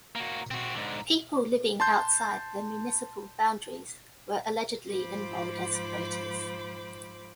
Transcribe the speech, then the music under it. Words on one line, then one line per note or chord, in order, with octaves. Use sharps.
People living outside the municipal boundaries were allegedly enrolled as voters.
A#3 F#4
C4 F#4
G#2 D3
A5 C6 G6
G#2 F3 C5 B5 D6